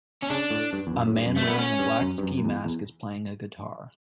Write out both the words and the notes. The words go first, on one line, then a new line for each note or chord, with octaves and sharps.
A man wearing a black ski mask is playing a guitar.
C#4
C#3 D4
A2
G2
E2
F#2
A2
G2
F#2
G2 A3
B3
C#4
G2
F#2
G2
F#2
F#2
E2
E2